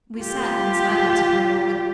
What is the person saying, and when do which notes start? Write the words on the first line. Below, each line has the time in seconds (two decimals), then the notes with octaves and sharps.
We sat in silence for a moment.
0.19 F4 G4